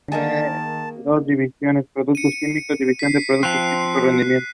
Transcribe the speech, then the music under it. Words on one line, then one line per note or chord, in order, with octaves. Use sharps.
The design of the Shapur Cameo combines both Roman and Sasanian styles.
D#3 A#3 D#4 G#4 A5
C#7 D#7
B6 C7
F3 C4 F#6